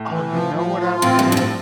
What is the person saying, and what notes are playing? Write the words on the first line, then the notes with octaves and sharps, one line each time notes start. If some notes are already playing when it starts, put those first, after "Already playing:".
Oh, you know what I would add?
Already playing: A2
E3
F3
F3
F4
A2 C4
G2
F3
G2
A2